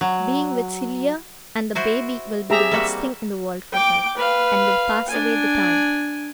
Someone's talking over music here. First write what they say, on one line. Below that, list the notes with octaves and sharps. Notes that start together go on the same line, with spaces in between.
Being with Celia and the baby will be the best thing in the world for her, and will pass away the time.
F#3
E4 F#4 C5
C4 G4 G#4 E5 A#5
G3 A#3 F#4
G5 D6
B4 F5
D4 G#5